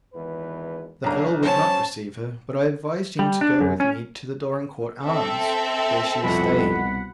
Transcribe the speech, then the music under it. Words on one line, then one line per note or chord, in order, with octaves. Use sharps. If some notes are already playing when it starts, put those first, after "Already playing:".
The Earl would not receive her, but I advised him to go with me to the Dorincourt Arms, where she is staying.
G#1 E2 B4
B1 C#3 A#3 D4 A#5
F#3 C#4 C5 A5
G3
D4
F#2
C#4
C4 A4 E5
C2 F2 B2 F#5 B5